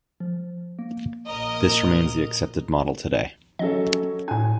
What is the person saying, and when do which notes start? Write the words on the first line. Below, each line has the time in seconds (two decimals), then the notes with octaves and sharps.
This remains the accepted model today.
0.20 F3
0.79 A#3
1.26 A#1 A#3 A#4 D#5
3.59 F#3 C#4 A4 D#5
4.28 A2 D4 G#5